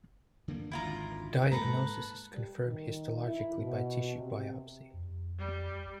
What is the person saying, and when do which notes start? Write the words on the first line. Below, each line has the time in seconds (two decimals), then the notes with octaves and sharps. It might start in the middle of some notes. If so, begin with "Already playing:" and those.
Diagnosis is confirmed histologically by tissue biopsy.
0.48 D3 D#3 A#3
0.72 G#1 D2 D#3 E4 F4 A#5
1.52 G#2 A#3 A4 B4 A#5
2.33 G3
2.64 D#3
3.26 E4
3.57 B2
4.16 C3
4.94 F2
5.38 G3